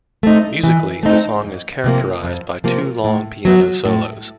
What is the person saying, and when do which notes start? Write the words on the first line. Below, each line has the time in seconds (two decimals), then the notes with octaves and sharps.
Musically, the song is characterized by two long piano solos.
0.23 A3 C4 D#4
0.63 E3
1.03 A3 C4 D#4
1.44 F2
1.84 C3 F3 A#3
2.23 F2
2.64 C3 F3 A#3
3.04 A2
3.45 F#3 B3
3.85 A2